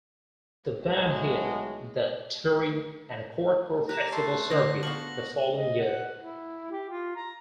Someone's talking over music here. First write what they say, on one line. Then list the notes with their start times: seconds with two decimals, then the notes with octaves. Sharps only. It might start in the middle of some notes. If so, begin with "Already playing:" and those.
The band hit the touring and hardcore festival circuit the following year.
0.81 B1 A2 G#3 A3 F#4
3.89 G4 A5 A#5 F#6
4.12 A3 C6
4.51 D3 C#5 A#6
4.83 F3 B3 F#4 A4 C#6 F#7
5.55 D#5
5.80 F#5
6.17 E4
6.71 G4
6.90 F4
7.16 A#5